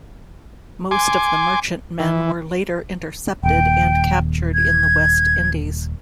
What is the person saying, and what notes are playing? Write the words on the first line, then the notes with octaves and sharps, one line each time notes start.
Most of the merchantmen were later intercepted and captured in the West Indies.
G#5 C6 D6
E3
D#1 D#2 G5
G#6